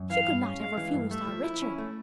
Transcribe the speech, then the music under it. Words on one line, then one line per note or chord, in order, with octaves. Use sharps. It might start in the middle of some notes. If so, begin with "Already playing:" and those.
She could not have refused our Richard.
Already playing: F#2
E3 F5
G2
C#4
G#3 F5
E3
G2
A3 E5
F3
E4
C#4
A3